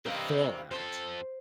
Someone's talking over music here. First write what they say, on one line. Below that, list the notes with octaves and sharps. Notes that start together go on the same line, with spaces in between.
the fallout.
G2 C3 A#3 C4 D#5
F2 A4 C5